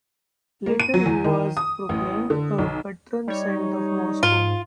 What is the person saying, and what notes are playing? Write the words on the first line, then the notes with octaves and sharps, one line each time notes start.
Later he was proclaimed a patron saint of Moscow.
A#3
D#7
F#3
E2
D#3
D#6
A1
D3
B1
G3 D#4 C#5
G#2 F4